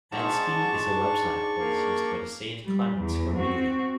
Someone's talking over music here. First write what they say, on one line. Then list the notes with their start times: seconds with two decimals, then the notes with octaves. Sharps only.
Edsby is a website that is used by the Saint Clement's community.
0.12 G#2 D4 D5 A5 C#6
1.59 A#3
2.65 G3
3.01 E2
3.37 C4 F#4